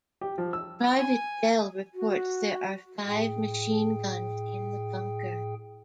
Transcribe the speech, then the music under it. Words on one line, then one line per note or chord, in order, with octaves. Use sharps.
Private Bell reports there are five machine guns in the bunker.
G4
F3
E6
G#5
F#4
A2 G#4 G5